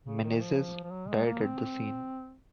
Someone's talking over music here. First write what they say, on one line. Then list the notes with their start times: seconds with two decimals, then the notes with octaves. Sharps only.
Menezes died at the scene.
0.06 C#3
0.23 D#3
0.40 F3
0.83 F3
0.91 F#3
1.08 G#3
1.26 A#3
1.43 C4